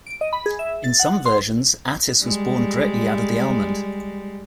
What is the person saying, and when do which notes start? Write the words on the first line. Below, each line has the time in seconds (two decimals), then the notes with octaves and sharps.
In some versions, Attis was born directly out of the almond.
0.06 D7
0.21 D#5
0.33 B5
0.46 G#4
0.59 E5
0.84 A6
0.99 F#5
1.26 C6
2.24 G3 G#3